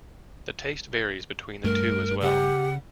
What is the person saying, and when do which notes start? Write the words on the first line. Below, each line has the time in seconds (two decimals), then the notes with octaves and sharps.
The taste varies between the two as well.
1.64 G2 A3 A#4
2.22 C#3 G4 F#5